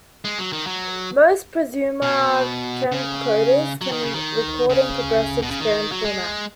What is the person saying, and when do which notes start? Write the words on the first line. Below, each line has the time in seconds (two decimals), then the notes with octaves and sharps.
Most prosumer camcorders can record in progressive scan formats.
0.25 G#3
0.38 F#3
0.53 D#3
0.67 F#3
2.02 B2
2.92 C#3
3.81 F#3
3.92 D#3
4.03 C#3
4.13 D#3
4.70 C#3
5.42 B2
5.51 C#3
5.60 D#3
5.92 F#3
6.04 G#3